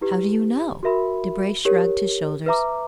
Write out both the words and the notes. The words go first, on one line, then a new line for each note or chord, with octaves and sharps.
"How do you know?" Debray shrugged his shoulders.
E4 G4 B4
F#4 A#4 E5 B5
G4 A#4 C#5
B4 E5 A#5 D6